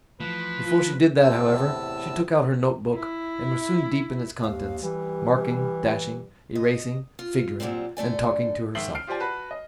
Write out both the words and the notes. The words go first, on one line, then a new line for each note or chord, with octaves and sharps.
Before she did that, however, she took out her note book and was soon deep in its contents; marking, dashing, erasing, figuring, and talking to herself.
E3 F3 A3 B4
F4
E2 A2 C3 A5 E6
E4
D#2 F5
E3 G3
D#5
F4
A#2 E3 F#3 G3 C4
D3 A3 D5 G#5
G#2 D#3 E5 C7 F#7 G7
F6 C7 D7
F4 G4 C5 D5 G#5
F#4 B4 A5 B5
D#5